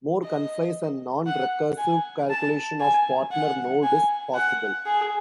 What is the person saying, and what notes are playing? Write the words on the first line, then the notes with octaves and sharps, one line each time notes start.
More concise and non-recursive calculation of partner node is possible.
D#5
F#5
G#5
A5
G#5
F#5
G#5
F#5
G#4